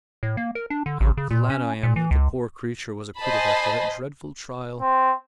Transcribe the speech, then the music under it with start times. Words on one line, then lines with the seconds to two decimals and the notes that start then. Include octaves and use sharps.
How glad I am that the poor creature was acquitted after that dreadful trial.
0.23 A2
0.37 A#3
0.55 A#4
0.70 D4
0.86 D3
1.01 A1
1.17 C#3
1.31 A#2
1.50 C#4
1.83 A#2
1.96 E3
2.11 C#2
3.19 C5 D#5 G#5 A5 B5
4.81 C4